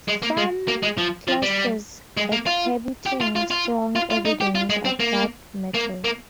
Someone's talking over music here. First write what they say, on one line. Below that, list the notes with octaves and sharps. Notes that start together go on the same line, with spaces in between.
Some clusters exhibiting strong evidence of dark matter.
G#3
A#3
G#3
A#3
G#3
F3
F3
G3
G#3
A#3
F4
G4
F4
F4
F4
F4
F4
D#4
G4
F4
G#3
C4
A#3
A#3
A#3